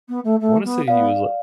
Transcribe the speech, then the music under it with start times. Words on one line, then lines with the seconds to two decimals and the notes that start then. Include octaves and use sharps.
I wanna say he was li
0.08 B3
0.24 A3
0.40 A3
0.64 B3
0.88 B3 D5 F5